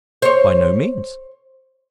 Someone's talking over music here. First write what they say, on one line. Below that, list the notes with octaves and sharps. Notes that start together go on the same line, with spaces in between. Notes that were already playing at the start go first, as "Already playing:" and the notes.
"By no means."
C5 C#5